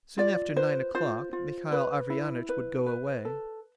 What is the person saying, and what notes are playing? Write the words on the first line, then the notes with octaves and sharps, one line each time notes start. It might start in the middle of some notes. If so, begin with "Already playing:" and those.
Soon after nine o'clock Mihail Averyanitch would go away.
F4 D5
B4 C5
F4 C5
F4
B4
E4
B4
B4
A4